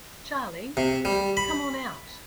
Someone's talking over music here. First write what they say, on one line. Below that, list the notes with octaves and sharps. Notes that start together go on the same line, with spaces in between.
Charley, come on out!
C3
G3
B5